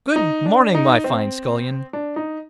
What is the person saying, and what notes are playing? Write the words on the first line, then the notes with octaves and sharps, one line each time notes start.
'Good-morning, my fine Scullion!'
D#4
D4
D#4
C4
D4
D#4